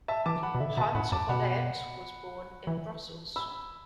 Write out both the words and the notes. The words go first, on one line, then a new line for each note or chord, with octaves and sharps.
Hans Collaert was born in Brussels.
E5 A5
E3 A5 D6
F#5 B5
B2
D3 E5
B2 E5 A5
A2 F#5 B5
F#2 A5 D6
B2 F#5 B5
E3
B5 E6